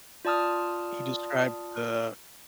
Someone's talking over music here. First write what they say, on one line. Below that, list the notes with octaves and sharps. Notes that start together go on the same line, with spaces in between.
he described the
F4 D5 A5 D#6 F6